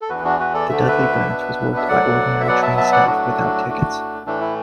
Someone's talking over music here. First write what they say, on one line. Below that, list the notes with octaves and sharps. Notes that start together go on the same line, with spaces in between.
The Dudley branch was worked by Ordinary Train Staff, without tickets.
A4
E2 E3 D4 F#4 B4
D4 F#4
F#4 B4
A4 D5
D2 D3 A3 E5
D5
B4 E5
B2 B3 D4
E5
D2 D3 F#3 D5 F#5
E5
B2 F#3 B3 D5 F#5
E5 A5
E5 A5
D5 F#5
A2 F#3 A3 D4 F#4
A2 A3 D4
A2 E3 A3 D4
E4